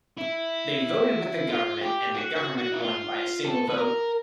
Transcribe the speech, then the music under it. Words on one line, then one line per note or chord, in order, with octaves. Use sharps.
They voted with the government, and the government won by a single vote.
E4
F4
G4
F#4
F#4
F#4
E4
F4
A4
B4
A#4